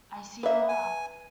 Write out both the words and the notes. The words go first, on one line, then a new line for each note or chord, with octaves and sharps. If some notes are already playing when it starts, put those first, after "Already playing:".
I see you are.
A#3 B4 E5
G#5